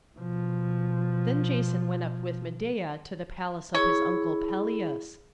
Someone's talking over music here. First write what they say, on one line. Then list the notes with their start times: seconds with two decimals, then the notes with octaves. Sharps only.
Then Jason went up with Medeia to the palace of his uncle Pelias.
0.18 B2 F3
3.74 E4 G#4 C#5 B5